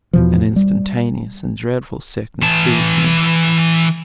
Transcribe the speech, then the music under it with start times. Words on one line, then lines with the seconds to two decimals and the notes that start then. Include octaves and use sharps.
An instantaneous and dreadful sickness seized me.
0.13 E2 B2 F3
0.56 G3
2.42 E3 A5